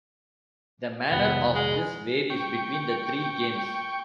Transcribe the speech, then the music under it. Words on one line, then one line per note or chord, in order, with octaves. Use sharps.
The manner of this varies between the three games.
F1 B1 D#3 B3
G#3
G5 C#6